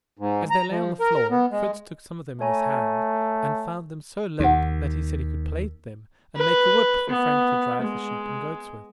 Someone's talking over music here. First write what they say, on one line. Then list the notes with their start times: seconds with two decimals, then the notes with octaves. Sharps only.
As they lay on the floor, Fritz took some of them in his hand, and found them so limp, that he said he could plait them, and make a whip for Frank to drive the sheep and goats with.
0.19 G#2
0.50 A#5
0.70 F3
1.00 A#4
1.31 B3
1.52 G#3
2.41 A3 C#5 G#5 A#5
4.40 D#2 D#4 F#5
6.36 B4
7.10 B3
7.82 G#3